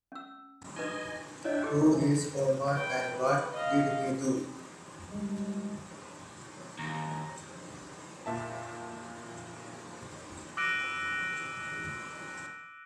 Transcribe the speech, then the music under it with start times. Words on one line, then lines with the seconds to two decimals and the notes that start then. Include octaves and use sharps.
Who is Omar and what did he do?
0.12 C#4 E6
0.76 D4 D#4 B4 D#5 G#5
1.44 D4 E4 C#5 D#5 E5 G5
1.63 G4 A4 D6
1.81 C3 E3
2.74 B4 G5
3.09 B4
3.53 D#5 F5
5.11 G3 G#3
6.79 D#2 A#5
8.26 A#2 E5 A5
10.57 D6 E6 F#6 A#6 D7 D#7